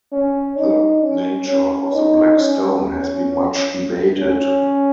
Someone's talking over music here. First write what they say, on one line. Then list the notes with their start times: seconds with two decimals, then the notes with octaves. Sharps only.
The nature of the Black Stone has been much debated.
0.12 C#4
0.58 D#4
1.03 C#4
1.48 C#4
1.93 D#4
2.38 C#4
4.20 C#4